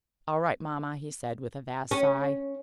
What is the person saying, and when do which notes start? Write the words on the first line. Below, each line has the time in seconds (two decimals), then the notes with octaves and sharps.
"All right, mamma," he said, with a vast sigh.
1.91 C#4